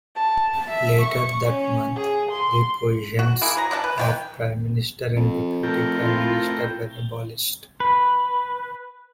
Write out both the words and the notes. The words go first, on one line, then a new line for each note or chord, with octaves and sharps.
Later that month, the positions of Prime Minister and Deputy Prime Minister were abolished.
A5
E5
C#6
C#4
G#4
C6
F#4
A#3 E4 G#4
F#3 A#5
C#4 D4 E5 A5
B4
D#3 F#4 G5
F2
A3 A#4 G5
C4 E4 F4
B4